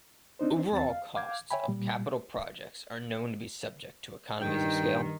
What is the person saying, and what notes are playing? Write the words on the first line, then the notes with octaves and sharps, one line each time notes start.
Overall costs of capital projects are known to be subject to economies of scale.
C4 D4 D#4 C5
E2 C4 A5 A6
F5
F5 D6 G6 G#6
C#5 E5 G5 G#5 B5
A#2 G3
G2 D#3 G5